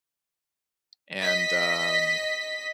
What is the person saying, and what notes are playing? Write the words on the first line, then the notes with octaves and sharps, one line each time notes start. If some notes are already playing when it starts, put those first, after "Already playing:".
and, um
D#5 B6